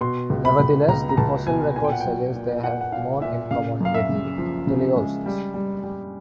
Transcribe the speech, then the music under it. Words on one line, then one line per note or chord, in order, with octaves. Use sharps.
Nevertheless, the fossil record suggests they have more in common with the teleosts.
B2 C6
C#2
B5
C#2
C#2 A#5
A#5
C#2 A5
B2 G#5
A#2 G#5
G5
F#5
F#3 G5
A#2
A#2 F#5
F#5
A#2 F5
A#2 E5
C#3 F5
F#2 F5
E5
C#3
F3
C#3
G#3
G3
G3
G3